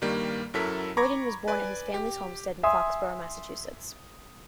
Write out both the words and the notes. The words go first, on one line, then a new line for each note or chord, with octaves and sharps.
Boyden was born at his family's homestead in Foxboro, Massachusetts.
G2 D#3 G3 A#3
F#2 F#3 E4 A4 A#4 B6
A#5 B5 C#6 D6 G#6 A#6
B4 D5 G#5
G4
E5 G#5 C6 D#6